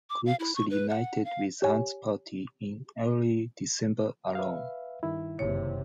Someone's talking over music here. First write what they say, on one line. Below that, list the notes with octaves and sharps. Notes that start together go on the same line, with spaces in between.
Crooks reunited with Hunt's party in early December alone.
D6
F5
E4
C#6
B4
F#5
F5
G4 C#5 G#5
B4 E5 F5
G2 D#3 E4
F#1 C3 C#5